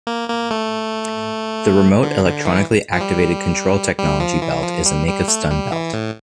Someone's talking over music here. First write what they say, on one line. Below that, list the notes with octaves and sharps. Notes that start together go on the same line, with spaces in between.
The Remote Electronically Activated Control Technology belt is a make of stun belt.
A#3
A#3
A3
D3
D3
E3
F3
G3
G3
F3
E3
F3
G3
G3
A3
G3
E3
A2